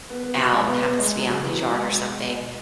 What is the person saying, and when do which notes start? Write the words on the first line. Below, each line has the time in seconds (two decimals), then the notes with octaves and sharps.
out and happens to be out in his yard or something.
0.10 B3
0.23 B3
0.37 F#3
0.51 G#3
0.63 B3
0.81 B3
0.98 G#3
1.16 F#3
1.29 C#3
1.43 E3
1.55 F#3
1.69 G#3